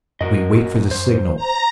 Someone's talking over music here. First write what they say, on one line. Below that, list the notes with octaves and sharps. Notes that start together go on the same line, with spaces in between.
"We wait for the signal."
F#2 F#4 A#4 D#5
C5
A#5